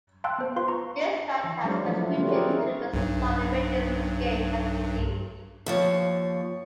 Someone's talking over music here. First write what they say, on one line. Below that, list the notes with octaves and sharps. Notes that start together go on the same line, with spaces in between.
This fact has contributed to the solid ratings this game has received.
F5 G5 A5 C6 E6 F#6
B3 C5
F4 B4 F5 C6
A#5 C#6
E3
F#3 G#3 D4 C5 F5
F3 A3 D4 E4 F#4 A4
G3 A3 C4 C#4 F4 F#4
C4 F#4 G#4 A#4 C#5 D5
C4 C#4 D#4 E4 G#4 A#4
B1 G2
D#2 F3 C#5